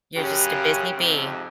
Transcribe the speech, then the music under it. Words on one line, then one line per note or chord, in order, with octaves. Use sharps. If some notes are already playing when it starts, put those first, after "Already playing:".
You're just a busy bee.
F#2 C#3 G4
F2 G#2 C3